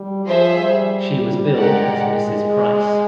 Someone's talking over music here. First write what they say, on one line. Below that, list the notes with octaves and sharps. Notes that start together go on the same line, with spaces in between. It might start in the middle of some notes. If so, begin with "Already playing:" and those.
She was billed as Mrs Price.
Already playing: G3
F3 G#4 C5 E5
G3
G#3 G4 A#4 D5 F#5